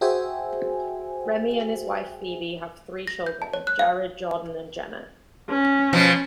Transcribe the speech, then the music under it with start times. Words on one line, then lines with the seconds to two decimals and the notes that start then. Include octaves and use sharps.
Remy and his wife Phoebe have three children, Jared, Jordan, and Jenna.
0.01 F#4 G#4 C5 E5 G5 G#5
3.07 A#6
3.26 G6
3.42 A5
3.54 C#5
3.67 F#6
3.79 F5
5.49 C#4
5.93 B2 F3